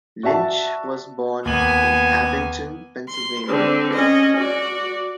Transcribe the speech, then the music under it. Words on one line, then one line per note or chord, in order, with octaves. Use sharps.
Lynch was born in Abington, Pennsylvania.
F#4 D5 E5 A5
D#2 B3 G#5 F#7
C6
D3 C4
C#4 D#5
F#4 D5